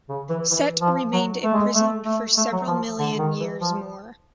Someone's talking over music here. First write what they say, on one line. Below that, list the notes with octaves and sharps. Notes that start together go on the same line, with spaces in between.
Set remained imprisoned for several million years more.
C#3
E3
E3
F3
F#3
A3
G#3
A3
A3
A3
F#3
F3
D3
D#3
E3
F3